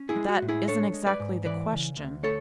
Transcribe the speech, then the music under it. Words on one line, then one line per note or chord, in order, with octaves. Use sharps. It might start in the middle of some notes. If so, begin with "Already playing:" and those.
'That isn't exactly the question.
Already playing: C#4
E4 G#4
G#3
F#4
A2
E4 G#4
D4 A4 C#5
G#3
B4 D5
G#2
E3 B4 D5
C#3
D2
A3 A4 C#5